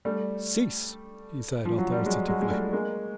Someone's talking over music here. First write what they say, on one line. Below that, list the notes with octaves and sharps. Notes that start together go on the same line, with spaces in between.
"Cease!" he said authoritatively.
G3 A3
F3
F#3
G3
F#3 G#3
F#3 G#3
G#3
G3 A3
G#3 A#3